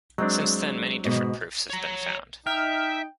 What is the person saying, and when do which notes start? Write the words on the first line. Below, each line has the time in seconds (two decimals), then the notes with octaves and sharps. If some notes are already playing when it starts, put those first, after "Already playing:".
Since then, many different proofs have been found.
0.18 F#3 G#3 C4 D4
1.04 G#2 B2
1.70 C#5 A#5
2.47 D#4 E5 G5 F6